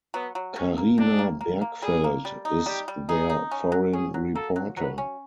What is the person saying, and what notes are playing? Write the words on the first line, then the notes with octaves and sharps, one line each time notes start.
Carina Bergfeldt is their foreign reporter.
F#3 B3
F#3
C3 C#4
A#3
C3 D4
A#3
A#3
A#3
G3 G#4
A#3
G3
D#4
G3 G4
G3
D#4 G#4
D#4
C#4
F#3
C#4 G#4
F#3
A#3 A4
F#3
F#3 B4
C#4